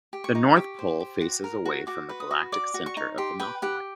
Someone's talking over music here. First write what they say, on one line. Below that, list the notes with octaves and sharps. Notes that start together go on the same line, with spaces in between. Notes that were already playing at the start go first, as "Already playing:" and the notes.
The North Pole faces away from the galactic center of the Milky Way.
G4
C#6
D#4
G4
C5
G4
F#4
A#4
F#4
F#4 D6
B4
D#6
F#4
D5 D6
F#4
C#6
D#4
G4 C6
B4 G5
G4 F#5